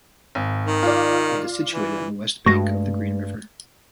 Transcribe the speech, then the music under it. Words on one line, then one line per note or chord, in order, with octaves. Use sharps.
It is situated on the west bank of the Green River.
G#1
D#3
F4 D5
E3
G2 G#3 A3 F#4 A#6